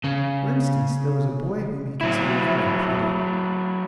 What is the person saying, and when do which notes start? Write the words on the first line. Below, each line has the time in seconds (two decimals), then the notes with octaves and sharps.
For instance there was a boy whom he considered very pretty.
0.04 C#3
2.01 F#3 E4